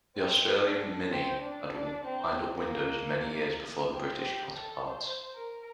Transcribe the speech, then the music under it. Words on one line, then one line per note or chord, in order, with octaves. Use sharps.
The Australian Mini had wind up windows many years before their British counterparts.
C4
D4
C4
D4
D4
C4
A#3
C4
G4
A4
C5
A#4